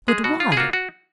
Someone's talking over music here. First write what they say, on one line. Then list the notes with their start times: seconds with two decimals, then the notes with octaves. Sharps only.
But why?
0.08 G#3 G#4
0.24 B2 F#4
0.40 F4
0.52 G#4
0.57 A#3 F4 F#4
0.73 F#4